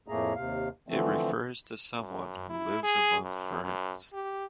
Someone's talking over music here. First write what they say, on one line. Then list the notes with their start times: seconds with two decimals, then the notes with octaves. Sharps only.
It refers to someone who lives among ferns.
0.08 F2 A2 A3 A#3 G#4 A#5
0.35 D#2 C3 F5
0.88 D3 E3 F3 A3 C4
2.00 F#2
2.49 E4
2.83 G#4
3.24 F#2
3.64 F#2
4.13 G4